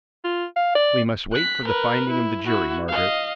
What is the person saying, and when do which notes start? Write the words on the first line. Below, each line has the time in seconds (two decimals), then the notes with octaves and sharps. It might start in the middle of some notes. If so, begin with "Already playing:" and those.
"We must wait for the finding of the jury, Margaret."
0.24 F4
0.56 F5
0.75 D5
1.32 F#6 B6
1.65 A#4 B4
2.10 E4
2.44 E4 F#4
2.88 D#5 F5